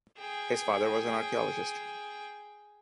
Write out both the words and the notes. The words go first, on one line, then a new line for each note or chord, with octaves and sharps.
His father was an archaeologist.
G#4 G5